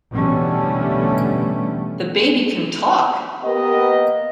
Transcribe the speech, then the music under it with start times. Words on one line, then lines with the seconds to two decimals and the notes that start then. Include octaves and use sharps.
The baby can TALK!
0.11 B2 D3 E3 G3 A3 C#4
3.44 A#3 B3 G4 A#4 D#5